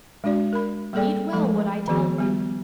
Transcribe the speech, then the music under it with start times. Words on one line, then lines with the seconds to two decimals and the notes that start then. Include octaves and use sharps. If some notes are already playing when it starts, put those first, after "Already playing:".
Heed well what I tell you.
0.24 G#3 D4 F#4 D5
0.53 A#4 B5
0.93 G3 A#3 G#4 A4 D5 G5
1.33 F3 G#3 A3 A4
1.88 D#3 F3 B3 F#4 G#4
2.18 G3 B3 G4